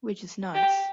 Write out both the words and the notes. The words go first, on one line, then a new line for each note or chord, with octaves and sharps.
Which is nice.
G4